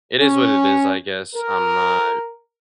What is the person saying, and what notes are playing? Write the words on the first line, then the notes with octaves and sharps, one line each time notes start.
it is what it is, I guess, I'm not
C#4
A#4